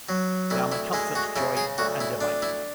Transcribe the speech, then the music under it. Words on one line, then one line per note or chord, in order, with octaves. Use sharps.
They are my comfort, joy, and delight.
F#3
D2 E4
E4
G#3 E4
F#4
C#3 E4
G#4
D2 F#4
E4
D4
E4